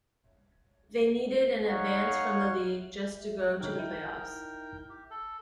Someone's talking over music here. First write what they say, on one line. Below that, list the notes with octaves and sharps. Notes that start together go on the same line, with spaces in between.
They needed an advance from the league just to go to the playoffs.
D#4 C#5 F5 F#5
D3 D#4 A#4 G5
D#4 E4
G4
A4